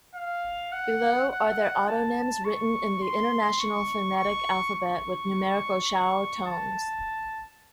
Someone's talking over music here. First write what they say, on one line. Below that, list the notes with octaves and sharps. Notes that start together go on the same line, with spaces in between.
Below are their autonyms written in the International Phonetic Alphabet with numerical Chao tones.
F5
F#5
F#5
A5
C#6
C6
C#6
C#6
C#6
A5